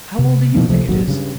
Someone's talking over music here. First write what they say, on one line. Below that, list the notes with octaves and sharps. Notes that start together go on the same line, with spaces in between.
"How old do YOU think it is?"
C3
B2 D3 F3 A#3
C#2 C3 F3 A3
D#1 G#1 D#2 F#3
G2 C#3